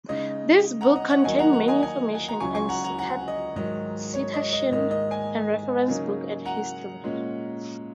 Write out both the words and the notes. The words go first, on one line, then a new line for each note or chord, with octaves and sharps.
This book contain many information and citation and reference book and history.
C#3 G#3 D#4 D#5
F#5 A#5
D#5
C#5 F#5
D#2 D#3 F#3 D#4 D#5 G#5
F#5 A#5
F#5 A#5
D#5 G#5
D#5 G#5
G#5
A#5
C#2 C#3 F#3 G#5 C#6
G#5 C#6
F#5 A#5
F#5 A#5
F#5 A#5
D#5
G#2 D#3 F#3 D#5
C#5
D#5
D#5
G#2 D#3 A#3 D#4 D#5
D#5
D#5 G#5
C#3 F#3 A#3 D#4
F#5 A#5
A#2 G#3 C#4